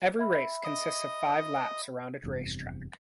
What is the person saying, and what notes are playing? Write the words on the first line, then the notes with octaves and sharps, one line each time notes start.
Every race consists of five laps around a race track.
E5 B5
D#5
F1 E2 G2 C3